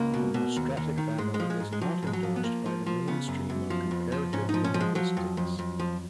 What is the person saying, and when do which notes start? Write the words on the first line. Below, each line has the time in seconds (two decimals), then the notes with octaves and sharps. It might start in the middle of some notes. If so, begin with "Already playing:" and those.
The Nostratic family is not endorsed by the mainstream of comparative linguistics.
Already playing: C#2 A#3
0.14 B2
0.34 B2
0.56 D#2
0.77 D#2
0.98 D#3
1.18 G#2 G#3
1.34 G#3
1.40 F3
1.50 G#3
1.60 G#2
1.73 G#3
1.81 F3 F#3
2.03 G#2 G#3
2.13 F#3
2.23 F3
2.36 B3
2.44 F3 A#3
2.66 F3
2.86 F3
3.07 C#3 B3
3.28 F#2
3.50 F#2
3.70 F3
3.91 F2
4.12 F3
4.33 G#2 C#4
4.49 F3 D#4
4.64 C#4
4.74 F3
4.81 G#3
4.95 F3 F#3
5.17 F2
5.37 F2
5.59 F2
5.79 F3